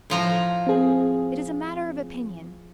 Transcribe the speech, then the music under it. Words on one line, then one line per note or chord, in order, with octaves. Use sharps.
It is a matter of opinion.
A2 F3 A#5
C4 G#4